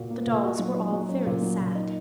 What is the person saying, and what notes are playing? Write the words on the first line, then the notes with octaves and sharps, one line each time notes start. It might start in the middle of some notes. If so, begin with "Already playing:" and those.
The dolls were all very sad.
Already playing: A#2 F#4
A#3
A#2
F#4
F#3
D#4
F#3
C#4
A#2
F#3
A#2
D#4